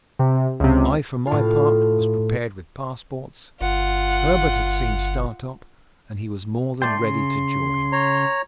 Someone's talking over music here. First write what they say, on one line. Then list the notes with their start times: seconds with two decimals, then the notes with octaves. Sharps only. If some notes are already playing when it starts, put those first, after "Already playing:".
I, for my part, was prepared with passports; Herbert had seen Startop, and he was more than ready to join.
0.19 C3
0.60 C#2 C3
1.27 A2 F4
3.61 G1 F4 F#5
6.82 A3 D5 G5 C6
6.97 C#3
7.92 C#5 A#5